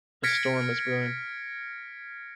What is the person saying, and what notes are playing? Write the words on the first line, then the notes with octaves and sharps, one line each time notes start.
A storm is brewing.
F6 G#6 A#6 B6 C#7 D7